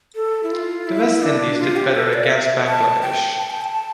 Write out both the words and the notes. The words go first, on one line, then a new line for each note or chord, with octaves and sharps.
The West Indies did better against Bangladesh.
A4
E4
F4
E4
D4
F4
G4
A4
D5
F5
E5
A5
G5
A5
G5
A5